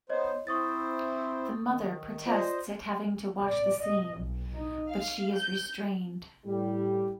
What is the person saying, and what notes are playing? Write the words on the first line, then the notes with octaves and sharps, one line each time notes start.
The Mother protests at having to watch the scene, but she is restrained.
B3 D#4 C5 C#5 D#5
C4 E4 C5 C#6 D#6 A6
D#3
F4 C5 D5 D#5
D5
D#5
B1
D#4
F5
G6
A2 G3